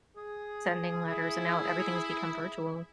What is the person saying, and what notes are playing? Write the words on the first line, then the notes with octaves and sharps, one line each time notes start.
sending letters, and now everything's become virtual.
G#4
E4